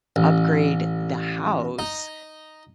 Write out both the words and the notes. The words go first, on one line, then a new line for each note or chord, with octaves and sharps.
upgrade the house,
A1
D#4